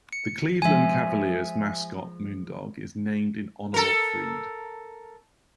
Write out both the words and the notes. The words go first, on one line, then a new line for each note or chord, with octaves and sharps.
The Cleveland Cavaliers' mascot Moondog is named in honor of Freed.
C#7
F3 G#3 E5 G#5
A4 A#4